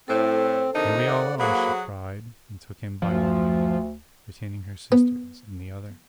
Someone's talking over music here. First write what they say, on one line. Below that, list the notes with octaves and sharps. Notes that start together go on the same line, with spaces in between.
"Here we all are!" she cried, and took him by one hand, retaining her sister's in the other.
A2 C4 A4 C5
C3 D#3 D4 D#4
D5 F#5
F#3 A#3 F#4 G#4 B5
D2 F3
B3